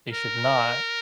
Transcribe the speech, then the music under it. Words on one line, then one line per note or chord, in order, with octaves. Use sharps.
they should not
A#4